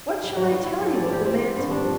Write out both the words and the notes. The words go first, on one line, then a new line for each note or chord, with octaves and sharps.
What shall I tell you of the mantle?
G3
F#3
B3
E4
A4
D5
G4
C4
D5
G2
D4
F3